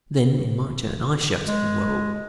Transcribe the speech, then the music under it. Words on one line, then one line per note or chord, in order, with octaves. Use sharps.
Then, in my turn, I shouted "Whoa!"
G#3